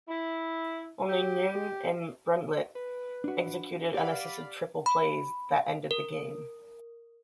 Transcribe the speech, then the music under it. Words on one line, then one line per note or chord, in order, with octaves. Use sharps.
Only Neun and Bruntlett executed unassisted triple plays that ended the game.
E4
G4
B4
D4 F#4
G4 D5 F5 F#5 B5
B5
A#4